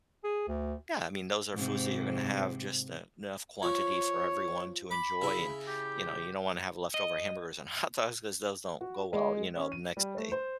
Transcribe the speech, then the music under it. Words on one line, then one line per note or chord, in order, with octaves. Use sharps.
yeah, I mean, those are foods that you're gonna have just enough quantity for everyone to enjoy and, you know, you don't wanna have leftover hamburgers and hot dogs because those don't go well, you know, the next day.
G#4
D2
G#2 C3
F3 C#5
B5 D6
C#3 E4
G4
D#5
F#4
G#3
C#4
D#7
G3
A3
C5